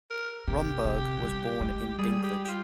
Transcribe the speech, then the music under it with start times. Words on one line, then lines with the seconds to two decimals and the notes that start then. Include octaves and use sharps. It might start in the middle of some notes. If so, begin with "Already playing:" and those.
Romberg was born in Dinklage.
0.10 A#4
0.48 C3 G4
0.85 C3
1.23 G3
1.61 G#3
1.98 G3 G#4
2.23 G4
2.45 G4
2.48 F4